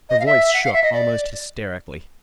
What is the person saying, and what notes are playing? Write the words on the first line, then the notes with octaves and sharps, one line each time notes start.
Her voice shook almost hysterically.
D#5
F5
E5
F#5
F5
E5
D#5
D5